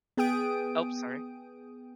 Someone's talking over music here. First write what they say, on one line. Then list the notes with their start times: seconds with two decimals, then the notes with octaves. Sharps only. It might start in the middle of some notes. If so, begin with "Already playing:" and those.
Ope, sorry.
0.17 B3 G#4 G5 D#6 D7